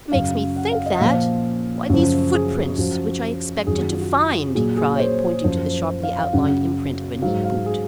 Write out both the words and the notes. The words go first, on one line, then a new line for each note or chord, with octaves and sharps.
"What makes me think that?--Why these footprints, which I expected to find!" he cried, pointing to the sharply outlined imprint of a neat boot.
F#2 C#3 F#3 F5
F#5
F5
D#5
F#5
A#2 F3 F5
F#2 C#3 F3 F#4
G#4
F#2 F3 F#4
F#2 D#3 F#3 G#4
F#4
F4
F#4
A#2 F#3 G#4
G#4
C#5
C5
F#2 F3 C5
F5
F5
F#2 C#3 F#3 F#5
G#2 F#3 F5
F5
G#4